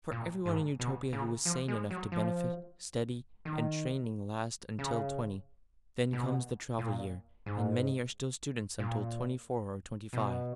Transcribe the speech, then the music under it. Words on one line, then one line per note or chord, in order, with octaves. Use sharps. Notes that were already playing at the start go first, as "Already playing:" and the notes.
For everyone in Utopia who is sane enough to benefit, study and training last until twenty; then comes the travel year, and many are still students until twenty-four or twenty-five.
A#2
G#2
B2
C#3
F3
G#3
F#3
F3
D#3
C#3
B2
A#2
G#2
A#2
B2